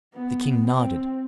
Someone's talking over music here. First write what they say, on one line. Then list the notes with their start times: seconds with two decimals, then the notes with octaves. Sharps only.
The king nodded.
0.14 B3
0.66 C4